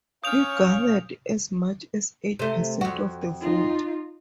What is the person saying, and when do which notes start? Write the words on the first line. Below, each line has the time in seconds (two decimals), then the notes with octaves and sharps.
He garnered as much as eight percent of the vote.
0.24 C#4 C#5 F5 D#6 F6 G6 D7 F7
2.39 C3 A3
2.81 F2 F#4
3.41 D#4 F4